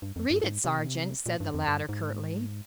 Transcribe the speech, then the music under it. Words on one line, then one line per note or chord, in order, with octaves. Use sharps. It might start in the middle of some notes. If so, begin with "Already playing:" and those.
"Read it, sergeant," said the latter curtly.
G2
F2
G2
G#2
C3
A#2
C3
A#2
G2
F2
G2
G#2